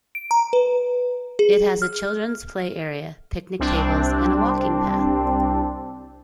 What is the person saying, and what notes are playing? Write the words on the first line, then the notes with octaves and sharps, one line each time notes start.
It has a Childrens Play Area, Picnic Tables, and a Walking Path.
D7
A#5
B4
G#4
F6
C2 C4 D4